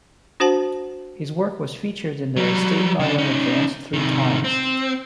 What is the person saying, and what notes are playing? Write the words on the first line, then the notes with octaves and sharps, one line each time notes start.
His work was featured in the "Staten Island Advance" three times.
D4 F#4 C5 F#5 A5
F#3 G3
C#3 D4
C#4 D#4
C3 D#3
C4